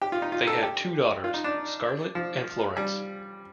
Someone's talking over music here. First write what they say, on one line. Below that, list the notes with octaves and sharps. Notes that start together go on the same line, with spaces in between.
They had two daughters-Scarlet and Florence.
G4
F4
D#4
F4
A4
G4
F4
D#4
D4
F3
G3